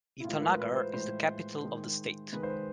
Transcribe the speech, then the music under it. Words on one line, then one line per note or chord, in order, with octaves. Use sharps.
Itanagar is the capital of the state.
E4
A2 E3 G#3 F4
A#4
B4
B4
C5
A2 E3 G#3 C5
D#3 G#3
D#3 G#3 B4
C5
B4